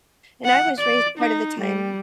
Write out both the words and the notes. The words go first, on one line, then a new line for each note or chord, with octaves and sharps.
And I was raised part of the time
F#5
D5
D#4
G3